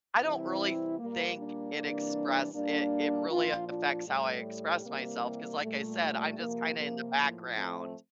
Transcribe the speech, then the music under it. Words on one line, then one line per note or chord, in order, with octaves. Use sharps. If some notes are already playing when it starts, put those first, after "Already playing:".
I don't really think it express it it really affects how I express myself, 'cause like I said, I'm just kinda in the background,
C3 E3 G3 C4 E4
A#2 G3 A#3
A#3 D4
C3 E3 G3 A#3 D4
A#2 G3 A#3 D4
A#2 F3 D4 F4
D4 F4
A2 G3 A3
C3 E3 G3 A#3
A#2 G3 A3
C3 F3 A#3
A#3
A2 F3
A3 C4